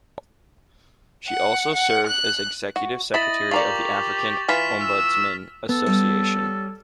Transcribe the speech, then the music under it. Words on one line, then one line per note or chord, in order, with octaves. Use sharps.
She also served as Executive Secretary of the African Ombudsman Association.
F#5
F#5
F#6
F#4
E4 D#5 B5 A6 F#7
F4 G4 A#4 D5 C#6 F7
E3 F4 B5 F6 B6 E7
E6
B3 A4
G3 C#4